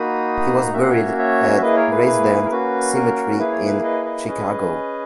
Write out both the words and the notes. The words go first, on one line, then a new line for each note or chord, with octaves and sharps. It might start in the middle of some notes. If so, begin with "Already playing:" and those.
He was buried at Graceland Cemetery in Chicago.
Already playing: A#3 D#4 F#4 B5 D#6
A#3 C#4 F#4 E5
F#5
C#5 E5
C#5 E5
E5
A#3 E4 G#4 B4 D#5
A#4 C#5
B4
B4
A#4
A#3 C#4 F#4 B4
A#4
A#3 E4 G#4 B4
C#5
B4
B4 D#5
B4 D#5
C#4 G#4 B4 D#5